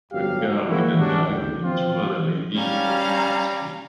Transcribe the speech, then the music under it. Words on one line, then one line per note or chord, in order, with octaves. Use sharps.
A girl with a dog and two other ladies walking on a street.
G1 F2 F#3 G4 F5
F3 G#3 A#3 C4 E4 F#4
G#2 F#3 G3 C#4 D4 F#4
F#1 D2 G4
F3 C4 F4
G3 C#4 F5 A#5